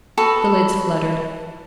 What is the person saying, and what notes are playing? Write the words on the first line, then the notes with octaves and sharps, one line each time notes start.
The lids fluttered.
F#4 A4 B4 D#6